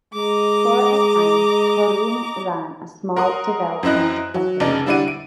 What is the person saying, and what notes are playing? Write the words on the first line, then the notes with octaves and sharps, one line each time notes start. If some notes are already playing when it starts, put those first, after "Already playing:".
For a time, Corroon ran a small development company.
G#3 D#5 A#5 D6
A#4 F#5 C6 D#6
F#2 C4 E4 D#5 F#6
F#3
F1 C#3 D#4 D5
D3 G3 E4 D5 F#5 D#7
D7